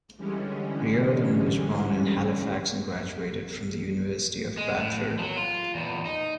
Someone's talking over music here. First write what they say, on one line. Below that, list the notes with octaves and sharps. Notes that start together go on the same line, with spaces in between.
Riordan was born in Halifax and graduated from the University of Bradford.
D3 E3 G3 G#3 C#4
G#3
A2
F3 F#3
F4
E2 A#2
D#4